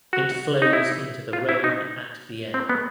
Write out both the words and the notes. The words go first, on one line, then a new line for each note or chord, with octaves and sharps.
It flows into the Rhone at Vienne.
F#4
D#4
E4
F4
E4
D#4
C4
B3